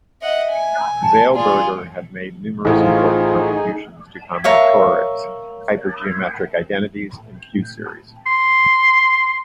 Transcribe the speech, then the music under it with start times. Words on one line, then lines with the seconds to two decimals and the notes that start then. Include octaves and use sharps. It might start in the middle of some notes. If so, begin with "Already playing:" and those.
Zeilberger has made numerous important contributions to combinatorics, hypergeometric identities, and q-series.
0.22 D#5 E5 F#5
0.52 G#5
1.02 A5
1.35 F4 G#4 D5
2.65 A1 A2 D#4 F4 G#4 C5
4.44 A#4 C#5 E5 F5
8.27 C6